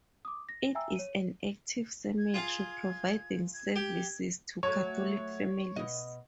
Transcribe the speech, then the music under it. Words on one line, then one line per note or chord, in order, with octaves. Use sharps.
It is an active cemetery providing services to Catholic families.
D6 D#6
A#6
E5 G5 G#5 A#5 E6
C#5 D#7
G#6
F4 G#4 F5
G#6
G4 G#6
F#3 A3 C#5
B2 D#5